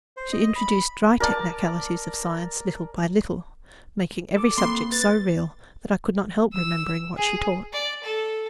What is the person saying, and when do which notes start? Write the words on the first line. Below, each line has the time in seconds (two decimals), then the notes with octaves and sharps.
She introduced dry technicalities of science little by little, making every subject so real that I could not help remembering what she taught.
0.17 C5
0.32 D#5
0.56 B5
1.20 A#4 D5 A5
4.37 A4 D6
4.58 A#3 C4 B5 C6
4.92 B4 A6
6.54 E6
7.17 G#4
7.73 D5
8.04 A4